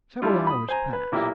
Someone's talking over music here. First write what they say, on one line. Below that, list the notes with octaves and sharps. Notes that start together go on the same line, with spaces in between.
Several hours passed.
G3 D4 E4 F4
B5 D#6
C5 G#5 A#5
B4
B1 A#2 A#3 E4 G4